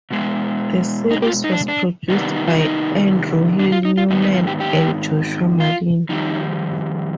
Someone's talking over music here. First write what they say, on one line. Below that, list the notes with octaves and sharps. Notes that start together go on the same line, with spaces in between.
The series was produced by Andrew Hill Newman and Joshua Malina.
B2 G#3 B3
D#4
G4
F4
D#4
D4
D4
C3 D#3 G3 B3 D#4
D4
D#4
F4
D#4
D4
F4
D#4
F4
G#2 D#3 B3 D#4
D#4
F4
G4
G4
F4
F2 D#3 G3 D#4